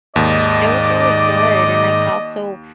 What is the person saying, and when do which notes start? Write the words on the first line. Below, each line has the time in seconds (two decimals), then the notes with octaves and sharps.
it was really good and I also,
0.16 D#2 G#2 D#3 D5 D#5